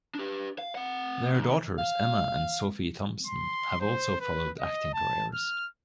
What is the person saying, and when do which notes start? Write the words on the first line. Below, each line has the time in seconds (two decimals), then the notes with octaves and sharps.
Their daughters Emma and Sophie Thompson have also followed acting careers.
0.15 D4 G4
0.58 F5
0.75 C4 F#5
1.34 D#2
1.79 F5
3.27 C6
3.81 C5
4.21 B4
4.60 D#5
4.94 A5
5.34 F6